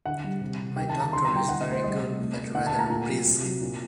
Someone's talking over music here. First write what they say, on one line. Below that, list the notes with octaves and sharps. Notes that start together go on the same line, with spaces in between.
My doctor is very good but rather brisk.
D3 F#5
G3
C3
C3
D#3 G5
A5
D#3
A#5
D3 C6
A#5
G3
G5
D3 F#5
D#5
A3
C5
G3 D#5
C3
A3
A3
D3 F#5
A5
A3
A#5
A#2
F#3
C3
F#3
A#2